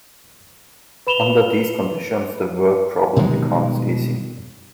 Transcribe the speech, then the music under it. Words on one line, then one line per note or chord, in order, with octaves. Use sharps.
Under these conditions the word problem becomes easy.
B4 B5 E7 F7 G7
B2 D#3 G3 G#3